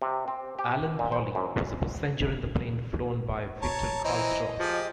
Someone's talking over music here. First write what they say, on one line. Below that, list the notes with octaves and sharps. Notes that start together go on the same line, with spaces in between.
Alan Hawley was a passenger in the plane flown by Victor Carlstrom.
C3
C4
G4
A#2
C5
F#2
C#5 A5 A#5
E3 C4 D#5 A#5
F3 G4 G#4